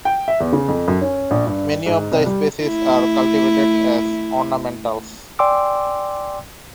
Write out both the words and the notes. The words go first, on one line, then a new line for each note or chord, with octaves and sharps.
Many of the species are cultivated as ornamentals.
G5
E5
E2
C#3
F2
F#2
C#4
A#1
G2
G#2
C2
G3
A3 E4
D5 G5 G#5 C6 D6 E6